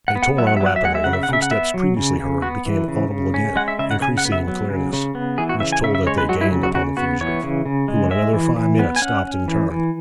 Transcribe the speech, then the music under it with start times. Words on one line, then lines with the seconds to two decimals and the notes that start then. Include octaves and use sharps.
They tore on rapidly, and the footsteps previously heard became audible again, increasing in clearness, which told that they gained upon the fugitive, who in another five minutes stopped and turned.
0.08 F#5
0.15 B3
0.23 F#5
0.38 F#3 E5
0.47 F#5
0.57 E5
0.61 F#3
0.66 F#5
0.76 E5
0.83 G#3 F#5
0.95 E5
1.04 C#3 F#5
1.13 E5
1.23 F#5
1.29 C#3 E5
1.42 F#5
1.51 B3 E5
1.74 F#3
1.97 C#3
2.19 C#3
2.42 B3 F#4
2.66 E3
2.88 C#3
3.11 C#3
3.34 C#4
3.56 G#3 F#5
3.68 E5
3.79 C#3 E5
3.91 F#5
4.01 C#3 G#5
4.18 F#5
4.25 B3
4.32 E5
4.48 F#3
4.70 C#3
4.93 C#3
5.15 B3
5.38 E3 G#4
5.49 F#4
5.60 C#3 E5
5.72 G#5
5.83 C#3 E5
5.95 E5
6.07 G#3 C#5
6.18 B4
6.29 F#3 F#4
6.41 E4
6.52 C#3
6.63 F#4
6.74 C#3 F#4
6.97 B3 F#4
7.21 E3 C#5
7.43 C#3
7.65 C#3
7.88 G#3
8.11 G#3 E5
8.33 E3
8.56 E3
8.79 B3
8.96 G#5
9.02 C#4 F#5
9.25 C#4
9.48 E3
9.71 E3